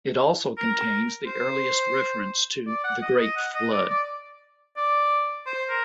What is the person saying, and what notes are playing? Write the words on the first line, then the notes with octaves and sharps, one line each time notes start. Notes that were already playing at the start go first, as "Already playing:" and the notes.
It also contains the earliest reference to The Great Flood.
A#4
C5
D5
F#5
D#5
D#5
F#5
D#5
D5
D5
D5
C5
A#4